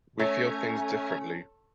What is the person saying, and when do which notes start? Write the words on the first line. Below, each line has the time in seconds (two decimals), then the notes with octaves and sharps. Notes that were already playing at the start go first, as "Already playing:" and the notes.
We feel things differently.
0.19 A3 C#4 C#5 E5 G#5 A#5